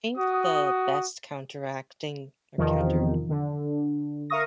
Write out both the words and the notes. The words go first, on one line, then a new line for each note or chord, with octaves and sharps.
Think the best counteracting, or counter
F#4 D#6
E2 C3 D#3 F3
D3
A#4 E5 F5 C#6 D#6 A#6